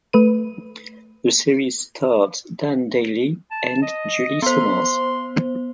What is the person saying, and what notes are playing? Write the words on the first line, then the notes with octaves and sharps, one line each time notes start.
The series starred Dan Dailey and Julie Sommars.
A3 B4 D#7
A5
D#5
B3 C5 C6